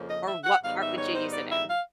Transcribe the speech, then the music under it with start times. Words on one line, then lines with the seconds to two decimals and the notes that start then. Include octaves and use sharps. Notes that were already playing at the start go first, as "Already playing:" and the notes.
Or what part would you use it in?
Already playing: F2 C#3 F3 A#3
0.10 D#5
0.27 E5
0.44 F#5
0.62 G#2 D#3 G3 B3 D#4 F5
0.80 E5
0.98 C#5
1.14 C5
1.32 D5
1.51 E5
1.68 F5